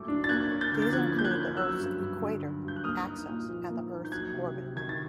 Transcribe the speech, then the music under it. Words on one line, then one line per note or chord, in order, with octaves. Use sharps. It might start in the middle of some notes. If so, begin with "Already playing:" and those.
These include the Earth's equator, axis, and the Earth's orbit.
Already playing: A#2 F#3 A3 D6
D4
A6
A#3 F#6 G#6
C#4
G6 A6
D3
A6
F3 F#6 G#6
A#3 G6
F#6 G#6
C#4
F#3 E6 F#6
G2
G2
D3
F#3
G2 G6
F#6
A#3 D#6 F6
D#4
A#2
F3
A#3
D#4
G6
F#3 F#6 G#6
C3
C3
D#3 G#6
A6